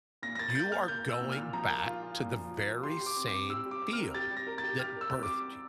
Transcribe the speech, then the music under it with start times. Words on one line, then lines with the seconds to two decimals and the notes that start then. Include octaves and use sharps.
you are going back to the very same field that birthed you.
0.22 A#2 A#6
0.35 A#6
0.39 A#3 A6
0.50 A6
0.55 A#3 G6
0.72 A#3 F6
0.88 A#3 G6
1.05 A#3 E6
1.21 A#2
1.32 F6
1.37 A#2
1.53 F3 A#5
1.69 A#3
1.86 F4
2.03 F4
2.19 A#2
2.35 F3
2.51 F4
2.67 A#3
2.83 G4 C6
3.01 G4
3.06 D6
3.16 C4
3.28 C4 D6
3.49 G4 E6
3.66 G3
3.71 D6
3.82 C4
3.93 A#4 F6
4.14 G4 A6
4.31 G3
4.37 A#6
4.47 A#4
4.58 A6
4.63 G4
4.79 G4 F6
4.96 A#4 E6
5.13 C4
5.23 D6
5.29 G3